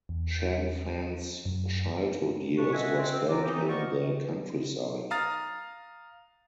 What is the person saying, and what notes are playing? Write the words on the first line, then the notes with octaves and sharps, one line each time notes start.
Shen Fan’s childhood years were spent in the countryside.
E2
F#2
G2 A#2 D4 B4 C#6
D#5 E5 F#5 G#5
C4
C2 D#3 E3 F4 A#5 D6
E3 C4 D#4 G4
F#4 A#4 C5 D5 D#5 C#6
F5 A#5 D#6 F6 A6